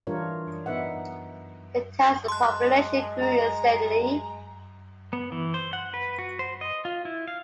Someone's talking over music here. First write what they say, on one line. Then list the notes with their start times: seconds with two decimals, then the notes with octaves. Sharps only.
The town's population grew steadily.
0.07 E3 G3 D4 F4 A#4 C#5
0.66 B3 D#4 B4 E5 F#5
2.28 G#3 A5 C6 F#6
3.21 A#5
5.13 B3
5.32 E3
5.54 C5
5.73 F#5
5.94 B4
6.19 F#4
6.39 C5
6.61 D#5
6.85 F4
7.05 E4
7.28 F5